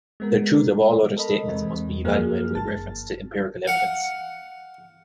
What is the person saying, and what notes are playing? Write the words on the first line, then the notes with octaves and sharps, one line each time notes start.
The truth of all other statements must be evaluated with reference to empirical evidence.
G#3 B3 A#4
A4 A#4 D#5 B5
E2 C3 G#3 C4
F#2 F3 A#3 G#4 A#4 F6
G1 A5 A6
F5 F#5